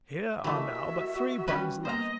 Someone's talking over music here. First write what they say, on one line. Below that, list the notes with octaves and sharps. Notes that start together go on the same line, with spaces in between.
Here are now but three buttons left.
E3 A3 F#4 G4 A#4 D#5 E5
G3 C#4 B4
A#3 B3 C5 D#5 A#5